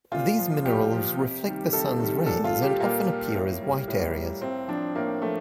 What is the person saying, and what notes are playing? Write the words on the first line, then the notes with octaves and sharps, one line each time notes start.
These minerals reflect the Sun's rays and often appear as white areas.
A#2 F4
F3
A#2 G4
F3
C3
D#3 G3
C3 A4
D#3 G3
A#2 A4
F4
G3
G4
A#2 A#3
G3
A2
G3
A2
G3
A2 C4
F3 D4
A2 A#3
F3 A3